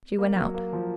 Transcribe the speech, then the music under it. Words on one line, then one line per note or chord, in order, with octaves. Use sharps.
She went out.
A#3
F#3
A#3
F3